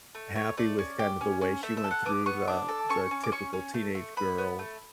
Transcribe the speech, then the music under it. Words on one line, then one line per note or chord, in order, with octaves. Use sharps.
happy with kind of the way she went through the the typical teenage girl
A3
A3 C#5
A3 D5
C#4
G4
C#4
C#4
A3 E5
E5
A4
F#5
B3 D6
B3 C#6
D4 D6
A4
C#4 C#6
C#4
D6
C#4 C#6
C#4
A3
A3
B3 B5
B3
A3